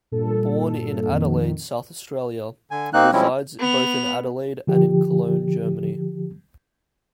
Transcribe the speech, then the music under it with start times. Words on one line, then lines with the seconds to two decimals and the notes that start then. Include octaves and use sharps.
Born in Adelaide, South Australia, he resides both in Adelaide and in Cologne, Germany.
0.12 G2 A#2 A4
1.09 F2 A#2 D#3
2.71 D3 G#5
2.93 A#3 C4 D#4 F#6
3.13 F3 G3 G#3 C4 C#4 E4
3.59 B3 F7
4.67 D3 F3 G4